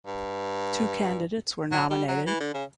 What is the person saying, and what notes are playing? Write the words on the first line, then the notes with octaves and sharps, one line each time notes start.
Two candidates were nominated.
G2
F#3
G3
F#3
E3
D3
C#3